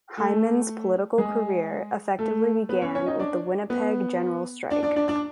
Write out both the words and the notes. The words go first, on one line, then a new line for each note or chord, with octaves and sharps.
Hyman's political career effectively began with the Winnipeg General Strike.
A3 A4
G#3 G#4
A3 A4
B3 B4
C#4 C#5
C#4 C#5
D#4 D#5
D4 D5
B3 B4
D4 D5
D4 D5
D4 D5
D4 D5